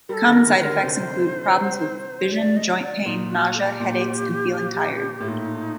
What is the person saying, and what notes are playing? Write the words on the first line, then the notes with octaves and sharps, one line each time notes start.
Common side effects include problems with vision, joint pain, nausea, headaches, and feeling tired.
G3 A4 A#4
D#3
A#4
D3
C5
D3 A#4
C3 C5
D5
D#5
D5
A#2 D#4
F#4
A4
G4
A#2
A2
A#2 D#4